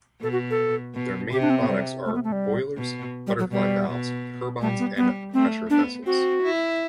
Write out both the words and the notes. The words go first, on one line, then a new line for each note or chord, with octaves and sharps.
Their main products are boilers, butterfly valves, turbines, and pressure vessels.
B2 A4
F#4
A4
B2
C3 G4
D4
C4
B3
G3
A3
B3
A3
G3
B2
G3
F#3
B2 G3
B2
G3 A3
B3
G3 B3
A3 C4
B3 D4
C4 F#4
E4